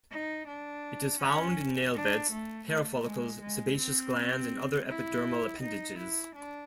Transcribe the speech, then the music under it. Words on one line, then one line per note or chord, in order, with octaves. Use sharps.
It is found in nail beds, hair follicles, sebaceous glands, and other epidermal appendages.
D#4
D4
C#4
D4
A3
A3
G#3
G#3
C4
E4
D#4
E4
D4